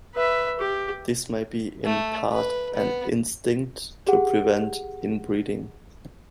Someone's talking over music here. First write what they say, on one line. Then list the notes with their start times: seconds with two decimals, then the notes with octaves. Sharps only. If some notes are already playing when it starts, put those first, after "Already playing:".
This may be in part an instinct to prevent inbreeding.
0.15 B4 E5
0.59 G4
1.85 A3
2.32 B4
2.74 B3
4.07 G4 G#4 F#5